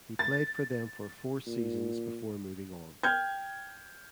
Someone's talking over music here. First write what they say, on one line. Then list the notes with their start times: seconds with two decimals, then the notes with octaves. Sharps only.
He played for them for four seasons before moving on.
0.19 A6
1.47 A#2
3.03 G5 F6 G6 G#6